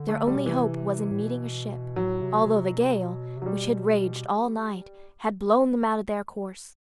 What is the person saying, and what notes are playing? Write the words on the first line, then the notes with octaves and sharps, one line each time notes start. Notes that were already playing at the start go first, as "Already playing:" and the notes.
Their only hope was in meeting a ship, although the gale, which had raged all night, had blown them out of their course.
Already playing: D3
A3
G3
B2
C3 E3
A2
B2
A2 F#3
C3
C3
B2
C3
B2
C3
F#3
B2 G3